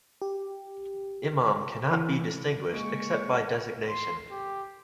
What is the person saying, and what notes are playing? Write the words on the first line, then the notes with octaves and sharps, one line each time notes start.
Imam can not be distinguished except by designation.
G4
E3
G#3 A#3 C#6 D7
C6
G4